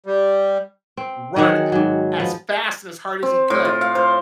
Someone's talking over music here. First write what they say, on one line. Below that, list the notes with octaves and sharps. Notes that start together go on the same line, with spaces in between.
run a as fast and as hard as he could
G3
C4
D#3 F#3 G#4 F#5
G#2 F#3
F3 B3
C4
A2
F4
F5
C5